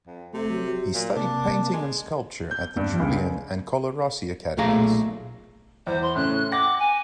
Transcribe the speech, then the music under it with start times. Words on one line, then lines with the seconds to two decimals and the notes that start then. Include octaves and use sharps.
He studied painting and sculpture at the Julian and Colarossi Academies.
0.07 F2
0.33 C3 A3
0.50 F#3
0.94 A#2
1.16 C3 A#3 D4
1.73 G#3
2.51 G6
2.77 G2
2.99 C#2
4.58 B1 A#2 A3 G#4 F5 A#5
5.87 E2 E4 C5
6.02 C6
6.16 A2 C#3 C#4 F#6
6.52 F#5 G5 D6 A#6
6.79 G#5